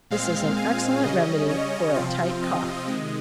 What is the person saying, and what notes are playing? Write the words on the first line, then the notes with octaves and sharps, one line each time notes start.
This is an excellent remedy for a tight cough.
A#2 G#3 C4 F5
G#5
C#3 G3 C#4 D#5
C#5
C3 F3 C4 F4
D#5
C3 D#3 G#3